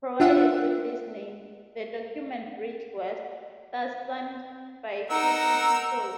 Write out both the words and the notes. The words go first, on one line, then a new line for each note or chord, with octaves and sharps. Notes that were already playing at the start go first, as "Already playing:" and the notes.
Provided with these names, the document reached West, thus signed by fifty people.
D4 F4 E5 F#5
D#4 A#4 F#5 E6